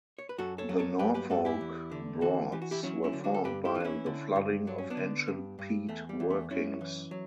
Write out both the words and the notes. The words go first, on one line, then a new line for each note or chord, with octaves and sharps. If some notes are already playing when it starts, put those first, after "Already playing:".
The Norfolk Broads were formed by the flooding of ancient peat workings.
C#5
B4
F#2 F#4 A4
A4 C#5
F#3
A4 C#5
G2 G4 B4
G4 B4
G2 F#4 A4
E4 G4
E2
D3
E3 F#4 A4
E3 G4
F#4
E4 G4
F#3 C#4 E4
C#4 E4
D3
D4 F#4
A4
G2 G4 B4
E4 G4
E3
D4
C#4 E4
D3
G2
F#3 D4
C#4
B3 D4
D3
G2
G2
E2 A3
G3
E2
A3
F#2 C#4 E4
E3
F#3